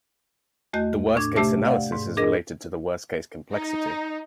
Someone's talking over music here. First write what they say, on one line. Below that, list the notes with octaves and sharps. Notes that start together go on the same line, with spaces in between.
The worst-case analysis is related to the worst-case complexity.
E2 A3 F#4 D#5 G6
A2 D4 D6 G#6
C3 A3 G4 E5 A5 D6
D5 F5 F#5
G#2
D4 G#4 A#4 D#5 A#6
D#4